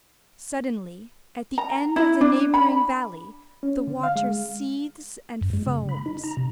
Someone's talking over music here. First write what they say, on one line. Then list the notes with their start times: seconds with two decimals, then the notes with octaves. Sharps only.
Suddenly, at the end of the neighbouring valley, the water seethes and foams.
1.58 A#5
1.96 E4
2.21 D4
2.54 B5
3.63 C#4
3.87 D3
4.03 F5
4.16 G#3
5.41 F#2
5.53 G#3
5.67 C#3
5.89 B5
6.06 D#4
6.23 A#5
6.37 C3